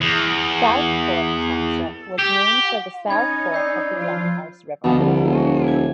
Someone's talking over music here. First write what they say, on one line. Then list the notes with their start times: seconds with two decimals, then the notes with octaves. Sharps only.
South Fork Township was named for the south fork of the Groundhouse River.
0.01 E2
2.19 G4
3.08 C#4 D#4 B5 G#6
3.53 D5 E6 G6 C7
3.96 F3 F4
4.84 D2 B2 F3
4.99 C2
5.25 E1
5.68 G#6